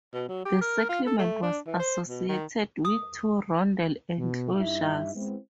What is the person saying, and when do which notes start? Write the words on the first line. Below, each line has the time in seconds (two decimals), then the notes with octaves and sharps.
The settlement was associated with two rondel enclosures.
0.14 B2
0.29 F#3
0.45 G4
0.61 A#4
0.89 F4
1.07 A4
1.19 A3
1.42 D4
1.67 E3
1.79 C5
2.09 B2
2.29 D#3
2.85 D#6
4.18 B2
4.55 G2 D#4 E4 E5
5.15 G#3 B3 C4 E4